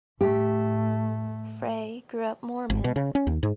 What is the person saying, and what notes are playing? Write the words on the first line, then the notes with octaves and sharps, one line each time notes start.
Frey grew up Mormon.
A2 A3 G4
G#1
B2
C#3
C#4
D#2
G#2